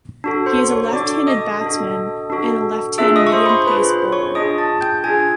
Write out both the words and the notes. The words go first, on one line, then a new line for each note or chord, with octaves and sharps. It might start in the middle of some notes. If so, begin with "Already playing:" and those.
He is a left-handed batsman and a left-hand medium-pace bowler.
D4 F#4 A4
C5 C6
C#5 C#6
D4 F#4 A4 D5 D6
D#5 D#6
D4 F#4 A4
D4 F#4 A4
D4 F4 G#4 E5 E6
D#5 D#6
C#6
C5 C6
B5
C5 C6
D4 F4 G#4 B4 B5
C5 C6
C#5 C#6
D4 F4 G#4 D#5 D#6
A5 A6
G5 G6
D4 F4 G#4 G#5 G#6